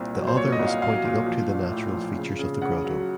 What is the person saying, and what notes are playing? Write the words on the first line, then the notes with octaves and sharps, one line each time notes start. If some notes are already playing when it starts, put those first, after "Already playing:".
The other is pointing up to the natural features of the grotto.
Already playing: C2 A#2 C4
F#3
C5
A#2 C#5
D#5
C2
F5
F#3 F5
A#2
F3
A#1
A2
F3
C#3
C#3
C#3 F#5
F#3